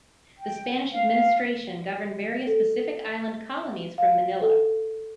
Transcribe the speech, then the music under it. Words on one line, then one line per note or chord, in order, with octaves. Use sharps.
The Spanish Administration governed various Pacific island colonies from Manila.
G5
F5
A4
F5
A4